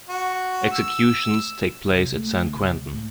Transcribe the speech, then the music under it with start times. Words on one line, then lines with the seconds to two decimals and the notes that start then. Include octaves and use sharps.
Executions take place at San Quentin.
0.09 F#4
0.71 E6
1.91 C2
2.16 A3
2.43 D2
2.55 C2
2.71 C#2
2.94 A2